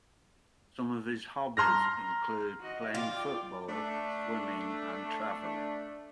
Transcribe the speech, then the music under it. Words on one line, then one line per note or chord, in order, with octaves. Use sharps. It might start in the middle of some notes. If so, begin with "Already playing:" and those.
Some of his hobbies include playing football, swimming, and traveling.
A#5 C6 F6 A#6
F#4 D#5
F4 D5 G5
A3 D4